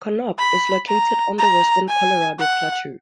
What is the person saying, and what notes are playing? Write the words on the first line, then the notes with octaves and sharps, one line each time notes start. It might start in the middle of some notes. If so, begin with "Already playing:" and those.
Kanab is located on the western Colorado Plateau.
B5
A#5
A#5
G#5
F#5